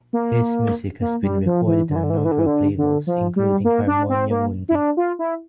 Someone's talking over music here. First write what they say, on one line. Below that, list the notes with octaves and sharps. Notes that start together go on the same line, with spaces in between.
His music has been recorded on a number of labels, including Harmonia Mundi.
A#3
A#3
G3
F3
E3
D3
E3
D3
E3
D3
E3
D3
E3
D3
D3
F3
G3
A#3
D4
C4
A#3
E4
D4
F4
E4